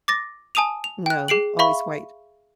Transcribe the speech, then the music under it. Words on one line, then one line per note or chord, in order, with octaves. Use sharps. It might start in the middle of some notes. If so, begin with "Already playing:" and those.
No, always white.
D6 A6 A#6
G#5 A5 D#6 D#7 F7
F7
G5 F#6
G#4 C7 D7 F#7
E5 F5 B5 C#6